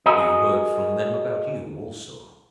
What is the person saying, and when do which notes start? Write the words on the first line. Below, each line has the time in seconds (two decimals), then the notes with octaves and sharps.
We heard from them about you also.
0.06 F#4 G#4 A#4 D#5